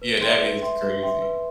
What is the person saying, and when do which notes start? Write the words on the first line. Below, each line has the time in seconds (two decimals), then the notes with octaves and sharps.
Yeah, that is crazy.
0.02 B4
0.21 E5 G5 C6
0.42 B4
0.62 E5 G5 C6
0.82 B4
1.03 E5 G5 C6
1.22 B4